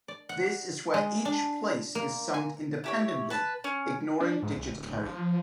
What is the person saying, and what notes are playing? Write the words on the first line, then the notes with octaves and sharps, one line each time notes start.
This is where each place is summed independently, ignoring digit carry.
D5
F#5
G#3
D4
A#3
G#5
E4 G4 C#5
B4 A5
C#4
D4
G#2
C2
D1
A1
F3